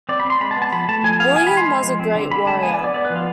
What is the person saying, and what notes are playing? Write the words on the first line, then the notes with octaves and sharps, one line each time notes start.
William was a great warrior.
C4 D5
B5
C4
C6
G#3 B5
A5
B3
A5
F3 B5
A3 A5
F3 G#5
B3 F5
E3 G#5
B5
G#3
C6
G#3
F3
C4
D3
D3 B5
G#3 A5
B3 G#5
D5
B3
D5
B3 D5
B4
F3
F4